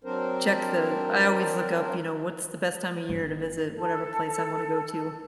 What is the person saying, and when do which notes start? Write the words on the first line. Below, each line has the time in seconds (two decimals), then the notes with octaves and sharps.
check th I always look up, you know, what's the best time of year to visit whatever place I wanna go to.
0.04 F#3 C4 D4 A#4 C5
3.09 G1
3.74 A4